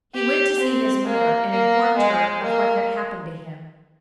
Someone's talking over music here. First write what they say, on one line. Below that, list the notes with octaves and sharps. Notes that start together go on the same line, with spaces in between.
He went to see his mother, and informed her of what had happened to him.
G4
C4
A#3
A#3
G#3
A#3